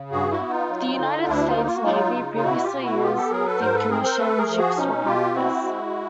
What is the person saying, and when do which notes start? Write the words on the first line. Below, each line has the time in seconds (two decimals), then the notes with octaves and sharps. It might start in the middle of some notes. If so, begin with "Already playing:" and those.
The United States Navy previously used decommissioned ships for practice.
Already playing: C#3
0.12 G2 F#4 G#4
0.31 E4 F#4
0.41 B3
0.50 D#4 F4
0.69 F#3
0.99 D3
1.23 D#4
1.28 D2 D4 E4
1.47 D#4 F4
1.57 A#3
1.67 F4
1.76 F#4
1.85 F#3 D#4 F4
2.15 C#3
2.38 F4
2.44 B2 E4 F#4
2.64 F4 G4
2.73 B2
2.83 E4 F#4
3.02 B3 F4 G4
3.17 G4 A4
3.31 F#3 G#4 A#4
3.46 A4 B4
3.60 G#2 A#4 C5
3.75 A4 B4
3.89 C4 G#4 A#4
4.04 A#4 C5
4.18 A3 A4 B4
4.38 G#4 A#4
4.48 F3
4.57 F#4 G#4
4.77 B2 C#4 D#4
5.06 B2 F4 G4
5.35 C4 E4 F#4
5.64 G#3